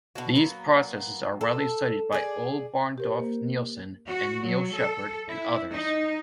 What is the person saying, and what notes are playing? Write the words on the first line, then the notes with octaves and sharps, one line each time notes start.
These processes are widely studied by Ole Barndorff-Nielsen and Neil Shephard, and others.
B2 D4 F#4
F#3 A#3 B3
A4
G#4 D5
G4 A#4 C5
A#3
F#4
F#3
A4
E4
D#4